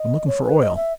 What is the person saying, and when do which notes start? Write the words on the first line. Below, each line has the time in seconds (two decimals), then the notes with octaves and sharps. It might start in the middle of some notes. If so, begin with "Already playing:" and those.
I'm looking for oil.
Already playing: D#5
0.27 C#5
0.43 B4
0.60 D#5
0.76 E5